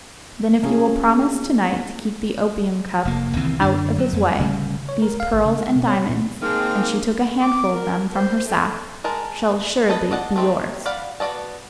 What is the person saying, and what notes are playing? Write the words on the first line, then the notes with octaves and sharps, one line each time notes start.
"Then if you will promise to-night to keep the opium cup out of his way, these pearls and diamonds," and she took a handful of them from her sack, "shall assuredly be yours."
A3 A#3 C#4 F4 G#4
F1 A#3
C2 D#3 E3 C4
F#2 D3 D4
F#3
F2
D1 C#3 G3
C#5
A#4
F5
G#1
C#3
G#3
B2
C#5
A#2
G#3 A#3 C4 D#4 G#4 A5 F6
D6
A#4
C5
A3
G#3 A#4 A5
A4 B4 D#5 B5
D5 D#5 F#5 A5
A3 C4 D#4
D5 F5 F#5 B5
B3 F#4 D5 D#5 A5